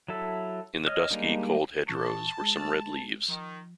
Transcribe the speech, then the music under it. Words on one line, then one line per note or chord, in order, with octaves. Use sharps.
In the dusky, cold hedgerows were some red leaves.
F#3 E4 A4 E5
C#5 D#5 D#6 F6
G3 G#3 A#3 D4 D#4
A#2 E3 A5 C#6
G#3
D#3 F3